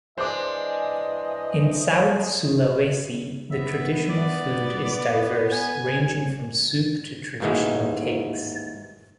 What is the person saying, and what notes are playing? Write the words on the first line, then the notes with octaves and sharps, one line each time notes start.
In South Sulawesi, the traditional food is diverse, ranging from soup to traditional cakes.
E3 G#3 D4 C5 D#5 D6
B3 E5
D5
G#5
A1 D#2 G#2 D#3 E3 G#3